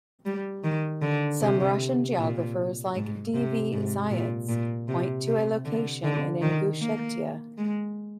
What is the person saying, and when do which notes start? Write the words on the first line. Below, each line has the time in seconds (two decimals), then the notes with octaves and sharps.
Some Russian geographers, like D. V. Zayats, point to a location in Ingushetia.
0.25 G3
0.64 D#3
1.02 D3
1.41 C3
2.18 A#2
2.95 G#2
3.34 C3
3.73 G#2
4.11 A#2
4.49 A#2
4.88 C3
5.27 C3
5.65 D3
6.04 D3
6.41 D#3
6.81 A#3
7.58 G#3